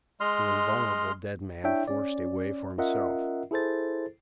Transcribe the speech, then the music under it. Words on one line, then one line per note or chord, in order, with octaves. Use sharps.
The invulnerable dead man forced a way for himself.
G#3 D#5 C6 F6
D4 E4 C#5 E5 G5
C#4 D5
C#4 F4 A#4 D#5 E5 F#5
E4 G#4 A4 C5 A6